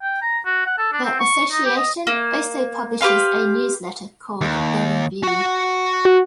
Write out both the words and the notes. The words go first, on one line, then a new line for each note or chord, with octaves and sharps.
The Association also publishes a newsletter called the Review.
G5
A#5
F#4
F#5
A4
D4
C4
C#6
D#4
G4
D#5
A#3
G4 B4 F5 C6
D#2
F#4 F#5
F#4